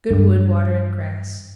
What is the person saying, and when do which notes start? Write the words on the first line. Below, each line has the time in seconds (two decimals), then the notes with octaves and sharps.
Good wood, water, and grass.
0.11 G2